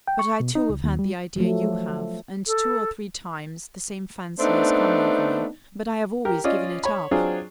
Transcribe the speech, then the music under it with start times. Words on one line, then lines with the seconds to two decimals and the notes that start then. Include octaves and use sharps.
But I too have had the idea you have, and two or three times the same fancy has come over me; but I have always given it up.
0.08 G5
0.19 C#6
0.40 B2
0.55 D#4
0.70 C#2
0.84 D#2
0.99 G3
1.36 F3 F#3 A3
2.47 A4
4.39 A3 B3 C4 D4 D#4
6.25 G4 A#4
6.44 C#4 F4 D5 D#5
6.84 C#5 B5
7.11 F#3 C4 D4 F4 G#4